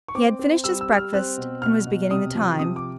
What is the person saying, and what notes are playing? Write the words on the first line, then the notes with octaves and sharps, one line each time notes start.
He had finished his breakfast, and was beginning the TIMES.
C#6
C4 D6
C4
G3 E6
E6
G3
F6
C4 F#6
B2
B2 F6
B2
C3 D#6
F3
C3 D#6
D6